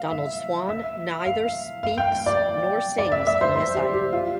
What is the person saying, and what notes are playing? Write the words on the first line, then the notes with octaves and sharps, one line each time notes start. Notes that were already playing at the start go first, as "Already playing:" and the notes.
Donald Swann neither speaks nor sings in this item.
Already playing: F5
E5
E5
F5
F5
G5
D5
D5
E5
E5
C5
C5
G4
G4
F4